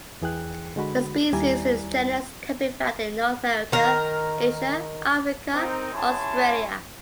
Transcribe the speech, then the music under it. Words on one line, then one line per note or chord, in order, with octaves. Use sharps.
The species in this genus can be found in North America, Asia, Africa, Australia.
E2 E3 G#4 G5 F#6
D3 G#3 F#4 B5
D#2 G3 E4 D5 G#5 A#5
D#3 A#4
C4 D#4 A#4
C#4 E4 G#4 A5 C6 C#6